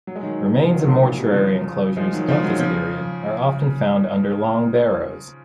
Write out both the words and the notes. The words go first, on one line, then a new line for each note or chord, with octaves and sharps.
Remains of mortuary enclosures of this period are often found under long barrows.
F#3
G#3
D#3 F#3
D#3
F3
D#3 F#3
A#2 C#3
A#2 C#3
C3 D#3
F#3
C#3 F3
F3 G#3
D#3 F#3
C#3 F3
G#3
D#3 F#3
C#3 F3